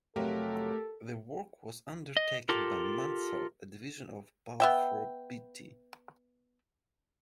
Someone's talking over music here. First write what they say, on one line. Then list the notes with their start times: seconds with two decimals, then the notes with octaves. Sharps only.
The work was undertaken by Mansell, a division of Balfour Beatty.
0.16 F2 C3 F#3 A3 G4 A4 A#4
2.17 D#5
2.49 F4 G4 A4 A#4
4.60 B3 E5 G5